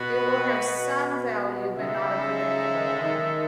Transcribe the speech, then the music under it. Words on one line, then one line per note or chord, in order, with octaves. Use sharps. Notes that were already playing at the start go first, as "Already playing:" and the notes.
It will have "some" value, but not a predictable one.
Already playing: B2 B3 F#4 B4
C#3 G#3 D#4 A4 E5
D#3